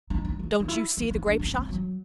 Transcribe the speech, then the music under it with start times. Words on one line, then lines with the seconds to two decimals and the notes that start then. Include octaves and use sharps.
"Don't you see the grape-shot?"
0.10 D#4
0.25 D#4
0.39 E4
0.60 D#4
0.68 E4
0.97 E4
1.11 D#4
1.26 D4
1.39 C#4
1.54 C4
1.69 F#3